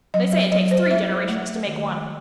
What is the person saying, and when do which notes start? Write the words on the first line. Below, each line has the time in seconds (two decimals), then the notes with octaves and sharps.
They say it takes three generations to make one.
0.14 F#3 D#5
0.32 E5
0.52 F#3 D#5
0.71 C5
0.90 E4 E5
1.29 A3
1.67 D#3